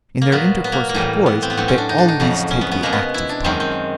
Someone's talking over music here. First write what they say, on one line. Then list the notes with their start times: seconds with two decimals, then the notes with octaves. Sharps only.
In their intercourse with boys they always take the active part.
0.21 A#3
0.32 A#2 F#3 B3
0.64 B3
0.72 A#3
0.89 A#3
0.94 A2 E3 G3
1.26 B3
1.42 C4
1.50 B3
1.57 A2 F#3 C4
1.68 C#4
1.78 D4
1.89 D#4
1.98 D4
2.08 D#4
2.20 F2 C#3 F#3
2.51 C#4
2.61 B3
2.71 B3
2.83 B2 G#3 A#3
2.93 B3
3.14 E4
3.29 D4
3.44 F#2 D#3 G#3 C4
3.60 C4